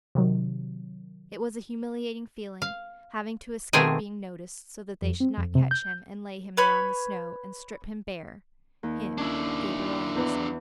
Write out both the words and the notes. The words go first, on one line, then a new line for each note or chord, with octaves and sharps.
It was a humiliating feeling, having to escape being noticed so that they should not catch him and lay him there on the snow and strip him bare--him, Gabriel Andersen.
C3 D#3 F#3
F5
B2 D#3 A3 C4 G#4 G#5
F2
C4
F2
C3
G6
B4 C#5 B5 C#6
D#2
C#4 D4 E4
E2 B4